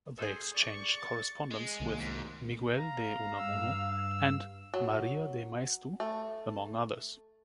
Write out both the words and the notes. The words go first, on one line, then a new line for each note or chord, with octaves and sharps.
They exchanged correspondence with Miguel de Unamuno and María de Maeztu, among others.
G#4 A4 C5
D5 C#6
A6
G#3
C2 D#3 A#3
G#2
F5 A#5
G2 E6
F#3
A3